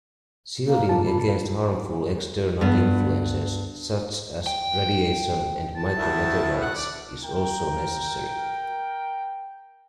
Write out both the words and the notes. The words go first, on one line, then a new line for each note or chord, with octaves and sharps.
Shielding against harmful external influences such as radiation and micro-meteorites is also necessary.
A#3
G2 F4 A5
B5
G2 B3
G5
A5
D2 A2 E4
F#5
D5
A#4 G5